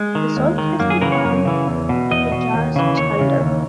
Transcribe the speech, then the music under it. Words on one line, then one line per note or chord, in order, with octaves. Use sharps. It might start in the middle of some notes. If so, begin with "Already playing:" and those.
The song has become a jazz standard.
Already playing: G#3
D#3
D#2
D#3
F#2 A#3
G#4
C#3 E3 A#4
C#5
F#2
C#3 E3
E2
B2
E2 D#5
B2
D#2
C#3 E3
D#2 C#5
C#3 E3
D#2